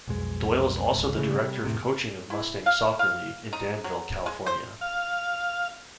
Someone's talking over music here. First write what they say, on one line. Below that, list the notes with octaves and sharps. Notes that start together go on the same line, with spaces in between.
Doyle is also the Director of Coaching of Mustang Soccer League, in Danville, California.
B1 F2 G#3
G#1 C#2
C#3 E3 G#3 A3
C3 G3
F1 A2 C3
E4
F5
F5
D#4
F#3
G#3
C5
F5